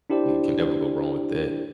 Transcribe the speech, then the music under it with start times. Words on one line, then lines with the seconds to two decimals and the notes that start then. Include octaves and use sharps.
Well, you can never go wrong with that.
0.10 D4 E4 G4 C5 D5